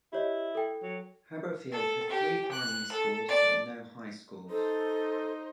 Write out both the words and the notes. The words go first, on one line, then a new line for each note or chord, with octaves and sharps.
Haberfield has three primary schools but no high schools.
E4 G4 C#5 D#5
A4 G5
F#3
A4
G4
F#6
A4
D5
D#4 A4 C5